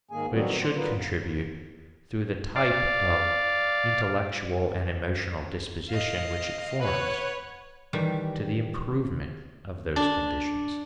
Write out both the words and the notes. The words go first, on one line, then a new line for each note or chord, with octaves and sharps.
But it should contribute through the type of intellectual and emotional disposition which it forms to the improvement of those conditions.
G#2 D#3 G#3 A#3 G#4 G#5
D#3 F#3 G3 B3 C4 F#4
C5 D5
F#3 G3 B3 F4 A#4 B4
D5 F5
D#5 F5
B4 C#5 F#5
D#3 E3 G3
D4